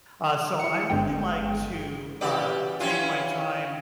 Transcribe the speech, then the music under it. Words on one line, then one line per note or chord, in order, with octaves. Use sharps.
Uh, so I really like to, uh, take my time,
E4 C#7
G1 G2 D3 G#3 G5
C#3 E3 G3 F#4 G4 D5
E3 C#4 E4 F4 F#5 G5